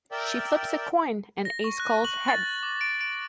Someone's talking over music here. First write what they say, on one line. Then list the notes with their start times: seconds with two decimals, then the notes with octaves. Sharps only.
She flips a coin, and Ace calls "heads".
0.12 A#4 D5 E5 G5
1.45 A#6
1.64 C#6
1.80 F#6
2.05 F#7
2.28 A6
2.63 D6
2.81 D7
3.01 D7